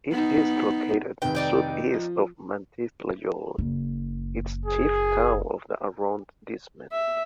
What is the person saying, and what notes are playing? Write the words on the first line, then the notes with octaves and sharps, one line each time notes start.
It is located southeast of Mantes-la-Jolie, its chief town of the arrondissement.
B3 D#4
F1 D#3 B4 G5
D#4 D5 G5
F3
F#1
G#4
E5